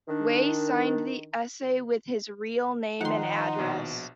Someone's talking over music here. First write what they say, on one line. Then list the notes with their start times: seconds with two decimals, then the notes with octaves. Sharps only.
Wei signed the essay with his real name and address.
0.08 D#3 D4
3.01 D#3 F3 D#4 F#5 C6
3.58 A#1 B2